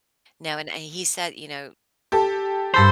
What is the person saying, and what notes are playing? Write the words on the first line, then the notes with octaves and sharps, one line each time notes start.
Now, and, uh, and he said, you know
G4 A4
G2 A4 C5 B5